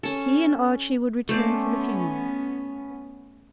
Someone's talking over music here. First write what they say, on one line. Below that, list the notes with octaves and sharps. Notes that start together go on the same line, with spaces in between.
He and Archie would return for the funeral.
C#4 A4
A3 B3 C#4 C5 D5